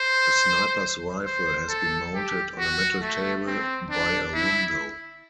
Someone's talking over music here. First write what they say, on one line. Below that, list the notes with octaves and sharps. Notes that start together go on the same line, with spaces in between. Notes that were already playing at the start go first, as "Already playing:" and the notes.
A sniper's rifle has been mounted on a metal table by a window.
Already playing: C5
C5
A4
G4
F#4
A3
C4
D4
E4